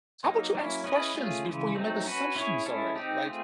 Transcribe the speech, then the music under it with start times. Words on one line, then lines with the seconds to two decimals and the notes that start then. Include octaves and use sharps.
how about you ask questions before you make assumptions already, like
0.24 F#3 A#3 D#4
0.54 F#3 A#3 C#4 E4
0.84 C#4 E4 G#4 B4 D#5
1.15 A3 C#4 F4 G#4
1.45 C#3 E3 G#3
1.75 F#3 A3 C4 D#4
2.06 C#4 F#4 B4
2.35 C#4 E4 G#4 C#5
2.66 G#3 C#4 E4 A4
2.95 C4 D#4 G4
3.26 A3 C4 F4 G#4